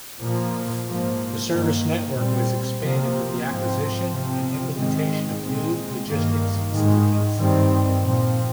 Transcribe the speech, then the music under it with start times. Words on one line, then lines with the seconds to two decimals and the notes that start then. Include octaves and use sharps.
The service network was expanded with the acquisition and implementation of new logistics facilities.
0.20 A#2 F3 A#3
0.85 G#2 F3 A#3
1.49 G2 D#3 A#3
2.15 A#2 G3 C4
2.81 C3 F3 A#3
3.46 G#2 F3 C4
4.11 C3 F3 C4
4.75 G#2 D#3 G#3 C4
5.40 A#2 G#3 C4
6.07 G2 D#3 A#3
6.72 G#2 D#3 G#3
7.37 G2 D#3 G3 C4
8.02 A#2 F3 C4